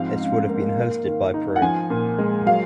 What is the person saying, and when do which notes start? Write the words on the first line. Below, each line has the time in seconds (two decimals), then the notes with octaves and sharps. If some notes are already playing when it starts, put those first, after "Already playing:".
It would have been hosted by Peru.
Already playing: G#2 F3 C4 F5
0.21 C#3
0.49 A#3
0.77 A#3
1.05 D#3
1.34 D#4
1.56 F#5
1.62 F3 G#5
1.90 A#2
2.18 G#3
2.46 F#3 F5